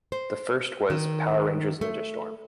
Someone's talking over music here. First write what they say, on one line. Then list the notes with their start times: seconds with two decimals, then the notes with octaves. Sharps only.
The first was "Power Rangers Ninja Storm".
0.12 C5
0.90 D#3
1.81 A3